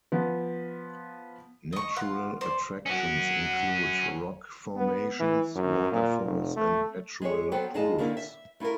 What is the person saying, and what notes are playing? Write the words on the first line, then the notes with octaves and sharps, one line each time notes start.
Natural attractions include rock formations, waterfalls and natural pools.
F3 B3
D#5 C#6
F4 F#5
C5 D5
C#4 F#4
B3
E3
F#2
A#2
F1
A3
G#3 G4 G#4 C#5
F#3 B3 A4 C5 G5
F2 G#3 F4 G#4 D#5 A5
D3 D#3 A#3 D4 E4 A#4
E5
A3 E4 F4 A4 A#4